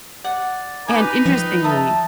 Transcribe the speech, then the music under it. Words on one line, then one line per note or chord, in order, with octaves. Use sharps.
and, interestingly
D5 F#5
D#4 B4 D#5 G#5 D6
F3 G5
E5 A5 A#5 D#6